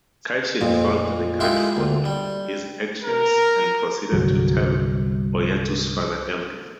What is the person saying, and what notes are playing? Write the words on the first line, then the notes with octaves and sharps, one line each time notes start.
Kaishin felt regretful his actions and proceeded to tell Oyatsu's father everything.
A#1 F2 A#2
G#3 E4 F4 G4 G#4
D2
G3
A#4
C2 G2 D3 F#3